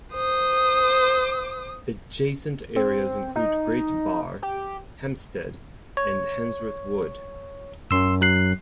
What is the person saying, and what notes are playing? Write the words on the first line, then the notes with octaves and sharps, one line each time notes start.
Adjacent areas include Great Barr, Hamstead and Handsworth Wood.
C5 D#6
C4
D#4
G4
C#5
F#2 C6 E6
F#3 F#6 C7